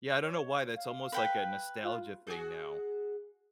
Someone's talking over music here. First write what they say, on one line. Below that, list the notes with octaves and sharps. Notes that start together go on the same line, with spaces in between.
Yeah I don't know why that's almost like a nostalgia thing now.
C#5
F5
B4 G5 B5
F4
F#4 G#4